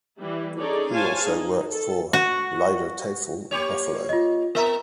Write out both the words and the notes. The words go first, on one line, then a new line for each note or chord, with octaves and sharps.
He also worked for the "Liedertafel" Buffalo.
E3 G3 E4
C#4 D#4 G#4 A4 C#5 D5
C5 C#5 F5 G#5 A5
D#4 G#4
A4
F#4
A#3 G4 C#5
F4 D#5
B3 A#4 E5 A#5